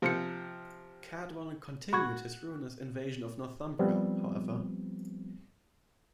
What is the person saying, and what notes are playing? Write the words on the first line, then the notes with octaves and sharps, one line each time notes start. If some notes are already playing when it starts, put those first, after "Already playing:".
Cadwallon continued his ruinous invasion of Northumbria, however.
C3 F3 A#3 C#7
F#4 B5 C#6 G#6
F3 G3 B3 C4